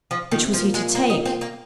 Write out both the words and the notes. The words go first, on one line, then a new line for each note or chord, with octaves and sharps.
Which was he to take?
F3
A#2 D#3
C3
F3
A#2
G#3
A#3
D#4
C4
A#3